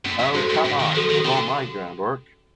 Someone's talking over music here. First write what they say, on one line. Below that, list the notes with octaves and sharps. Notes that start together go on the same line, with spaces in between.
Oh, come on, that was all my groundwork.
F#2 C#4
F#2
G2 F#4 A4 C5
G#2
A2 C#4
D#3
F3 F#4 A4 C5
D#3
D3 C#4